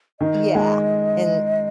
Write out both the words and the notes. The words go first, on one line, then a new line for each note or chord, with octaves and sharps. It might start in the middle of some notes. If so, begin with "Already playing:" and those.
Yeah, and,
D#3 D#5
G#3